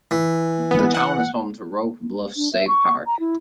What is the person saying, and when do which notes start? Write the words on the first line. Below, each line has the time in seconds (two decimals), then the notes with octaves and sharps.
The town is home to Roque Bluffs State Park.
0.11 E3
0.71 B3
0.94 F#5
2.35 D4
2.53 E5
2.68 C#6
3.07 A#5
3.20 E4